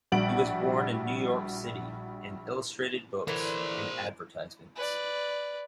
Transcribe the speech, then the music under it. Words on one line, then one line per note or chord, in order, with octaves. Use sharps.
He was born in New York City and illustrated books and advertisements.
A#1 G3 F#4 D7 F#7
D3 E3 A#4 C5
B4 D5